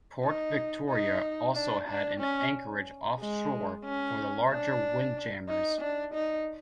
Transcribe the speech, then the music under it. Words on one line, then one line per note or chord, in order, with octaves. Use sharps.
Port Victoria also had an anchorage offshore for the larger windjammers.
D#4
D#4
D4
D4
C#4
G#3
C#4
D4
D#4
D4
D#4